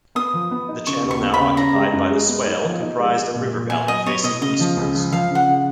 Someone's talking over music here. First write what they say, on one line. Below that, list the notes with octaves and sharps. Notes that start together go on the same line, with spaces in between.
The channel now occupied by the Swale comprised a river valley facing eastwards.
B3 D#6
F3
B3
D#4
C#3 C#6
D#2
C#6
B3
B5
C#3
C#4 A#5
G#3
F#2
G#3
B3
D#4
F3
D#4
G#3
G#3
A#2
A#2
B3 G#5
F#3 D#5
B3 C#5
B2 D#5
C#3 D#5
F3
C#2
F3
F3 F5
C#3 F#5
C#3